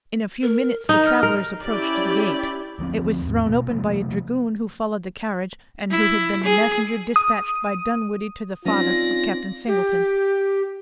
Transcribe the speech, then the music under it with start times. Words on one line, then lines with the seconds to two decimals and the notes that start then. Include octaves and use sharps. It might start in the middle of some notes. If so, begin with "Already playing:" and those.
In a few minutes the travelers approached the gate. It was thrown open by a dragoon who followed the carriage, and who had been the messenger dispatched by Dunwoodie to the father of Captain Singleton.
0.42 A#4
0.89 D#4 A#5
1.06 F6
1.23 A#4
1.65 C#4 E4 G4 D5
2.79 D2 F3 C4
3.22 D#2 G#2
3.46 B2 A#3
3.70 C3 F3 A3 A#3
5.91 E4
6.44 G#4
7.16 D#6
8.65 C4 C#4 D#4 F4 D5 A#6
9.68 G4